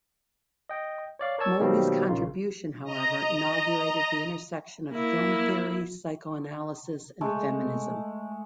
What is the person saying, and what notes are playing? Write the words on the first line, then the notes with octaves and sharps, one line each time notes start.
Mulvey's contribution, however, inaugurated the intersection of film theory, psychoanalysis and feminism.
D#5 G5
C#5 D5 F5
A#4 C#5 D5 A5 E6 G#6
B2 D#3 F#3 G3 A#3 C4
A#1 C#3 D#4 F4 A#4
D#5 A#5
A#3 E4
G#3 A3